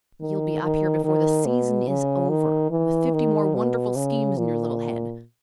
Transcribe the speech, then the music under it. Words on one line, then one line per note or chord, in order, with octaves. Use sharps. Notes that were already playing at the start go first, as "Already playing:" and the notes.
You'll be up here before the season is over, with fifty more wonderful schemes in your little head.
D#3
D#3
D#3
B2
C#3
D#3
E3
D#3
B2
C#3
A#2